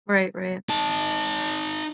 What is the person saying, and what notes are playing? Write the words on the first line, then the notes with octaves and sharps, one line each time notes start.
Right. Right.
D#4 A5